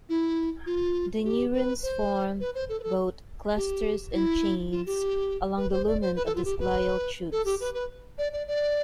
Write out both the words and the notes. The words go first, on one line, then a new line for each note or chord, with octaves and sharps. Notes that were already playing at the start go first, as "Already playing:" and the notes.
The neurons form both clusters and chains along the lumen of these glial tubes.
E4
F4
G4
B4
C5
B4
C5
A4
B4
A4
G4
E4
F4
G4
B4
C5
D5
C5
B4
A4
F4
G4
B4
A4
G4
B4
B4
D5
D5
D5